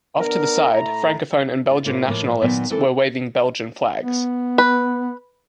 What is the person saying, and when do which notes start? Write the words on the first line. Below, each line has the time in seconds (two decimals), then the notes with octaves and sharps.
Off to the side, Francophone and Belgian nationalists were waving Belgian flags.
0.18 B3 D4 A#4
0.73 A2 A3 E4 A#5
1.71 F4
1.85 A2 A#3 F4
2.07 A2 F3 A#3
2.41 A#2 D#3 F#3 B3
2.70 E3 A#3 C4 A4
4.02 B3
4.58 B4